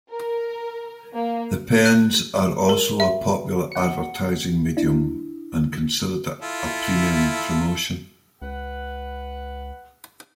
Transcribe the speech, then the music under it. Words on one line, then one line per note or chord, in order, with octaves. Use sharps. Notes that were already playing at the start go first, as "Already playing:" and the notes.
The pens are also a popular advertising medium and considered a "premium" promotion.
A#4
A#3
F#6
A#4
E5
F#5 C#7
D4 E4
E4 F4 A4
C#2 B4 F#5